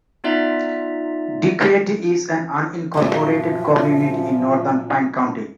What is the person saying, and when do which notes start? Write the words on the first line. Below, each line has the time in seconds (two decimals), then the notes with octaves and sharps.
Duquette is an unincorporated community in northern Pine County.
0.24 B3 D#4 F4 D5 E5 A#5
2.94 F#2 A#2 F3 F#3 E5